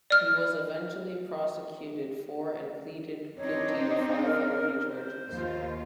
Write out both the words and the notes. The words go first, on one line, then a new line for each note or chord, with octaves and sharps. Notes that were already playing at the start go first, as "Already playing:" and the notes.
He was eventually prosecuted for and pleaded guilty to five felony charges.
D5 F6
C4 D4 D#4 C#5
C5
A#4
C5
D#2 F4